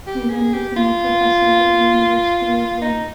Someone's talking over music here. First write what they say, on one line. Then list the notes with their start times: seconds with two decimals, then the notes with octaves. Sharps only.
He then became a professor at the University of Lund.
0.07 G4
0.30 G#4
0.53 G4
0.77 F4
2.82 D#4